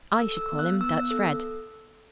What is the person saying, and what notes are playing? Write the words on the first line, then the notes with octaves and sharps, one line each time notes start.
"I should call him Dutch Fred."
E6
A4
E6
B3
F#6
B3 E6
A4